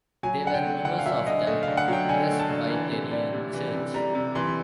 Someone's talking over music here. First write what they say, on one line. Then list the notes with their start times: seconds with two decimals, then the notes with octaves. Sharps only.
They were members of the Presbyterian Church.
0.23 F#3 G#5
0.44 D3 F#5
0.54 G5
0.64 A3
0.85 D3 F#5
0.99 F5
1.06 F#3 E5
1.26 D3 D#5
1.47 A3 D#5
1.63 F5
1.68 D3
1.77 F#5
1.88 F#3 G5
2.09 D3 G#5
2.29 A3
2.39 A5
2.50 D3
2.70 E3
2.91 C3
3.12 G3
3.33 C3
3.53 E3
3.73 C3
3.94 G3 A#5
4.15 C3
4.35 E3 C6